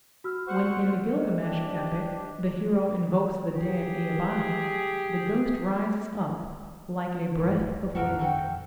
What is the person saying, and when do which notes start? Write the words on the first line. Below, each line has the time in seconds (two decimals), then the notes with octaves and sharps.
When, in the Gilgamesh epic, the hero invokes the dead Ea-bani, the ghost rises up like a "breath of wind".
0.24 F#4 E6 F6
0.47 C5 F#5 C#6
1.16 D#3 C5 D#5
1.41 D4 G4
3.54 G4 G#4
7.38 G2 G#3
7.60 D#4
7.95 F2 A#2 F#4 A4 A#4
8.19 F#4 A4 G5